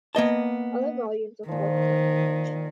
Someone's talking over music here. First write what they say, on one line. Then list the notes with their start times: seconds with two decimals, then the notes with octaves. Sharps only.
Other volumes are forthcoming.
0.15 A#3 B3 D#5 A5
1.48 A#2 D#3 F3